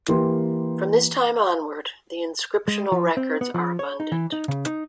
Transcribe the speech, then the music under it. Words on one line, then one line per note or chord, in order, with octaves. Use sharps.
From this time onward, the inscriptional records are abundant.
E3 A#3 G4 B4 C6
G#3
F3
C4
B3
F3
C#5
D#4
E3
D#4
C#3
D#4